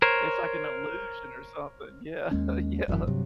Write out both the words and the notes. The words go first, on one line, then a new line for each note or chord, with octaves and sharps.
it's like an illusion or something. Yeah. Yeah. Uh,
A#4 C5 C#5
D#2 G#3 C#4
G#1 F#2 A2 E3
G2 C3 F#3